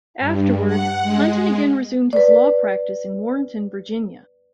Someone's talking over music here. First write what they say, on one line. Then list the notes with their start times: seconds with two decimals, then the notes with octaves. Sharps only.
Afterward, Hunton again resumed his law practice in Warrenton, Virginia.
0.20 G2
0.67 F#5
1.02 G#3
2.13 B4 D5